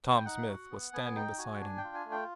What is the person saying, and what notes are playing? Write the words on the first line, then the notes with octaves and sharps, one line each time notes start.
Tom Smith was standing beside him.
G5
D#4 F#5
F#4
B3
B3 G#5
G#5
D#4 G5
F#4 G#5
D4 G#5
G5
F4
G#5
A3
G5